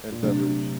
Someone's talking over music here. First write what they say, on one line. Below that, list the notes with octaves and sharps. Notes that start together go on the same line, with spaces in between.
and beverage.
A#2
C3 F#3 A3 D4